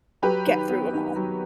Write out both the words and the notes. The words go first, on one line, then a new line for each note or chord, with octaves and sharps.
get through ‘em all.
F#3 G4 B4
D#3
B3
D#3
F#3